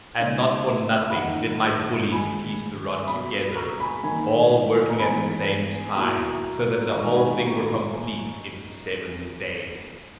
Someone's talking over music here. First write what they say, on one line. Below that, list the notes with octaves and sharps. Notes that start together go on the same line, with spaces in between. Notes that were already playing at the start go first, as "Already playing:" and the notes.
And not for nothing did my bullies piece the rod together, all working at the same time, so that the whole thing were complete in seven days.
C#3 G#3 D#4
B5
D#3 A#3 D#4 F#5 A#5
D#3 G#3 D#4 G#5 B5
B2 F#3 B3 B5 D#6
A#5 C#6
G#5 B5
D#3 A#3 D#4 G#5 B5
A#5
E3 G#3 B3 D#4 G#5 B5
B2 F#3 A#3 E4 A#5 C#6
D#3 G#3 D#4 A#5 C#6
G#5 B5
A#5 C#6